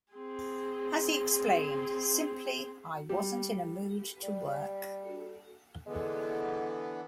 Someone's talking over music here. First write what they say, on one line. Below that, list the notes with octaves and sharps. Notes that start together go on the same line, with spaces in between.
As he explained, Simply, I wasn't in a mood to work.
C4 G#4
G3
G3
D3 E3 G#3 B3